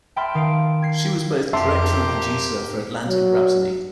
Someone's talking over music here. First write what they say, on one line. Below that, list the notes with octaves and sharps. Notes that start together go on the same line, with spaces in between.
She was both director and producer for "Atlantic Rhapsody".
E5 G5 A5 B5 C6 F6
D#3 F5 A5 D7
G#6 C7
F2 A#3 G4 E5 A5 C6
F#3